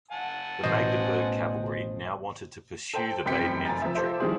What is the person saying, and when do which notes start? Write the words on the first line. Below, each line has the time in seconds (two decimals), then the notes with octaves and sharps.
The Magdeburg cavalry now wanted to pursue the Baden infantry.
0.12 F#5 G#5 A5
0.64 A1 B2 C5 D#5
2.94 A4 C5 G5 A5
3.25 F1 F#2 C4 G5 B6 C#7
3.65 F1 G#5 A#5 A6
3.82 F3 E5
3.95 F4 G4 A4 C5 E5
4.19 D#3 F3 G3 E4 G#4 C5